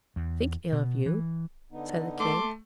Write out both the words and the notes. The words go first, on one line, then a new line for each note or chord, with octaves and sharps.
"Think ill of you?" said the king.
E2
B2
E3
D3 B3 D#4
A3 A5 C6 D6